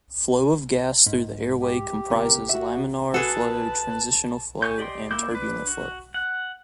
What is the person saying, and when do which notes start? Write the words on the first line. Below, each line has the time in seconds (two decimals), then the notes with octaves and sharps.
Flow of gas through the airway comprises laminar flow, transitional flow and turbulent flow.
1.06 G#2
1.62 G4
2.10 C#2 B3 A#4
2.49 F#4 E5
3.14 F#4 G#4 A4 B4 F#5 A5
4.62 G#5 C#6 G6
4.78 G4 D5 D#5 G5 C6
5.11 A#3 E4 D6 G6
5.31 D4 B4
5.67 F#4
6.14 F#5